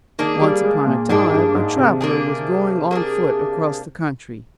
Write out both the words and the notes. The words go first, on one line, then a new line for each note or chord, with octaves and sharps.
Once upon a time, a traveler was going on foot across the country.
D#3 A#3 D4 G#4
G3
G#3
A#2
G#2 A#3 D4 G#4
G2
G#2
C3
A#3 D4 G#4
A#3 D4 G#4